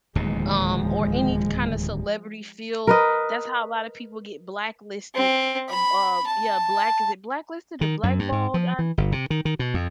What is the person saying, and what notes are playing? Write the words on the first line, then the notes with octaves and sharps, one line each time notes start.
um, or any kinda celebrity field, that's how a lotta people get blacklisted, or, uh, yeah, black, is it blacklisted or blackballed, are
D1 D#2 B2 F3 G#3
A#4 B4 D#5
C4
B5
A5
D#3
F#2
G2
G#2
F3
E3
G1
C3
D#3
D#3
B2
F2